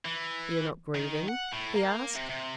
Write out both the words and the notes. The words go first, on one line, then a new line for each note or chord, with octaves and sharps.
"You're not grieving?" he asked.
E3
D#3
F#5
A2
A#3
C3
C3